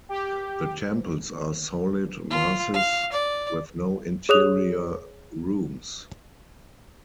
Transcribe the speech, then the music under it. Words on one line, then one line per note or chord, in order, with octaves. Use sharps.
The temples are solid masses with no interior rooms.
G4
F4
F5
D5
G#4 C#5 D#6 F#6 F7